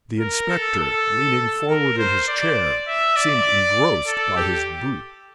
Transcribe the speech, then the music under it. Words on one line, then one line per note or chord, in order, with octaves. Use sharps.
The inspector, leaning forward in his chair, seemed engrossed by his boots.
A#4
A4
A4
A#4
C5
D5
E5
D5
A4
G4